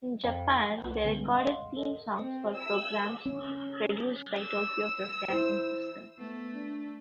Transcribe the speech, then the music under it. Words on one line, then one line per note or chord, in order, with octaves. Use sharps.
In Japan, they recorded theme songs for programs produced by Tokyo Broadcasting System.
F2
C2 B4 F#5
D3 G3 G#3 B3 C#4 G#4
D#5 F5 F#5 C6
A4 A#4 D#5
C4
E6
C#4
E6
E4 C5
A3 B3
D4